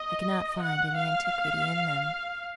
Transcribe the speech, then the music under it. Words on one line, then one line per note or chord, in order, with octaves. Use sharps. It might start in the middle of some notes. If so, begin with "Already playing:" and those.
I cannot find any antiquity in them.
Already playing: D#5
F#5
F5